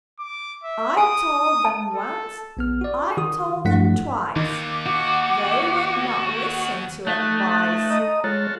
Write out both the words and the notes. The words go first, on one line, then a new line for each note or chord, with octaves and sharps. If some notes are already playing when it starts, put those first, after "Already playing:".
I told them once, I told them twice: They would not listen to advice.
D6
E5
G#5 D#6
A5
A4
A#1 B3 F6
F#4 D5
D#3 F#4 D#6
G2 F3 A3 E4 F#5 B6
D#2 D#3 D6
F#4
A3 D#4 A4 F#6
D#5 A#5 D#6
G#3 F4 F#4 A4 C#5